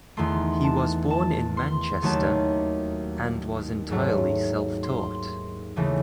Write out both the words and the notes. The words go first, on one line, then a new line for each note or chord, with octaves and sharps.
He was born in Manchester, and was entirely self-taught.
E2 D#3 A3 C6
A5
A5
C6
D#2 D#3 F#3 A3 A5
G#2 F#3 A3
C6
D#2 C#3 E3 A3